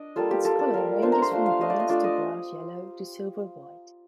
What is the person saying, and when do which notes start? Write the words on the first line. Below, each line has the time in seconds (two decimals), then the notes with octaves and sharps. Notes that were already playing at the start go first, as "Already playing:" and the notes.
Its color ranges from bronze to brass yellow to silver white.
Already playing: D4 D#5
0.16 G3 A#3 F4 A4
0.31 G4
0.45 G3 A#3 F4 A4
0.59 A4
0.74 G3 A#3 F4 A#4
1.02 A3 D4 F4 C5
1.12 A#5
1.22 C6
1.31 A3 D4 F4 F5
1.46 F5
1.61 A3 D4 F4 D#5
1.70 D5
1.80 D#5
1.89 A3 D4 F4 D5
2.04 D#5